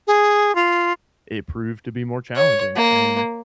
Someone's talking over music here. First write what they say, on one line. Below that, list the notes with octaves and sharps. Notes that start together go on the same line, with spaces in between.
it proved to be more challenging, and
G#4
F4
C#5
A#3